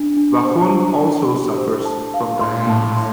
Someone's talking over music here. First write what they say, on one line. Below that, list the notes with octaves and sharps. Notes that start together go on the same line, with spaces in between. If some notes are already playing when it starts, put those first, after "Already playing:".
Vachon also suffers from diabetes.
Already playing: D4
D4
C5
D4
D4
G4
C5
A5
F5
A2 C6
A#2
A2 A5
C6